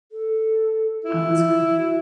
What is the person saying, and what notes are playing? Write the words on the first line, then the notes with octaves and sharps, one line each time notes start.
Oh, that's cool.
A4
E4 F4
F#4